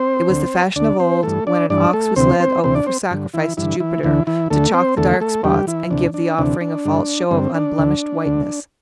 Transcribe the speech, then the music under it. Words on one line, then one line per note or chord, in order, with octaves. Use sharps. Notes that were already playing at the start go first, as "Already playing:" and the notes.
It was the fashion of old, when an ox was led out for sacrifice to Jupiter, to chalk the dark spots, and give the offering a false show of unblemished whiteness.
Already playing: C4 C5
D2 D3
D2 D3 D4 D5
C4 C5
G2 E3 A3 A4
D4 D5
G2 E3 D4 D5
A3 A4
D2 C3 E3 C4 C5
C4 C5
D2 C3 E3 C4 C5
D4 D5
C4 C5
G2 D3
E3 E4
G2 D3 E3 E4
E3 E4
D2 D3 E3 E4
E3 E4
D2 D3 A3 A4
C4 C5
E2 D3 A3 A4
A3 A4
E2 D3 G3 G4
E3 E4
D2 C3 E3 D4
D4
D2 C3 E3 D4
D4
G2 D3
G2 D3 C4
D4
D2 D3
D2 D3